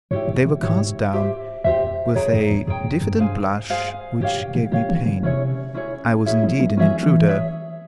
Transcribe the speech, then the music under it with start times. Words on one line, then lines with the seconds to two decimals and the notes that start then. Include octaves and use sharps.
They were cast down with a diffident blush which gave me pain; I was indeed an intruder.
0.11 G2 E4 G4 C#5
0.28 G#2
0.46 A#2
0.62 G#2 E4 G4 C#5
1.13 G4 C5 E5
1.64 E2 G4 C5 E5
2.15 F2 G#4 C#5 G5 A#5
2.33 G2
2.50 E2
2.67 F2 G#4 C#5 G5 A#5
2.85 F2
3.01 G2
3.18 G#4 C5 F5 G#5
3.70 G#4 C5 F5 G#5
4.20 G2 G4 C#5 F5
4.55 C3
4.72 C#3 G4 C#5 F5
4.89 E3
5.06 C#3
5.23 C3 C#4 E4 G#4 C#5
5.74 C#4 E4 G#4 C#5
6.26 C#4 E4 G#4 E5
6.43 F3
6.60 F3
6.77 E3 C#4 E4 G#4 E5
7.03 E3
7.28 G#4 C#5 E5